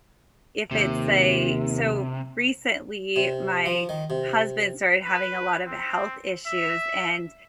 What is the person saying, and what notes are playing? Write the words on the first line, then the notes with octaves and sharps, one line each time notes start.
if it's a So, recently, my husband started having a lot of health issues and
D#2 C3
C3
F3
D#3
C3
B4
C4
E5